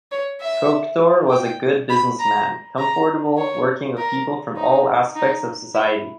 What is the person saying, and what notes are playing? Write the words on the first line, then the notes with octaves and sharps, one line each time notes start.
Proctor was a good businessman, comfortable working with people from all aspects of society.
C#5
E5
G5
B5
A#5
A#5
C#5
A#4
D#4
D#4
E4